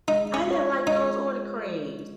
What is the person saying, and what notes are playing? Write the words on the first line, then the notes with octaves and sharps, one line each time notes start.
I didn't like those or the creams.
G#3 D#4
C#4
F4 C#5
G#3 D#4